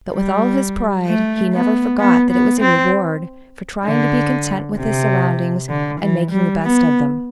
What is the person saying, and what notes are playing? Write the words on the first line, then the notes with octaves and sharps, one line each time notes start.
But with all his pride he never forgot that it was a reward for trying to be content with his surroundings and making the best of them.
G3
A3
B3
B3
B3
C4
D3
C3
D3
E3
G3
B3